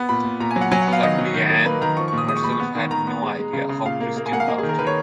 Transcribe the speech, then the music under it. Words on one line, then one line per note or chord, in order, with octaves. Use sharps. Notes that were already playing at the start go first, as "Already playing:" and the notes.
Certainly Anne herself had no idea how Christine loved her.
Already playing: B3
A#2 B5
A#2
A#2 A#5
G#5
F#3
F#5
F#3 G#5
F#5
B3
F5
D#3 D#5
F#3
D#3
A#3
A#3 B4
D#3 A#5
F3 C#6
C#6
A#2
D#6
G#3 D#6
C#6
A#2 B5
C#6
B3
D#3
D#3 A#5
B3
G#3
G#3
C#3
C#3
A#2 F5
A#3
A#3
G#5
A#3 F#5
F5
A#3 D#5
G#4
D#3
A#4
D#3 B4
C#5